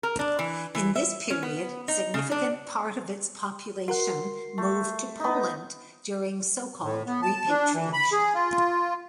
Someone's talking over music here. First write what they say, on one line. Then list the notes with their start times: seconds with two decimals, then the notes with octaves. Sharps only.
In this period, significant part of its population moved to Poland during so-called repatriation.
0.03 A#4
0.19 D4
0.39 E3
0.75 E3
0.96 E5
1.30 C#4
1.43 B3
1.88 D#4
2.14 C#3
2.31 D4
3.88 F#4 A#4 F#5 C6
4.58 A3
5.20 B3 D#4
6.83 A2
7.07 B3
7.22 A5
7.49 D4
7.74 E3
7.93 B5
8.12 G#4
8.34 F4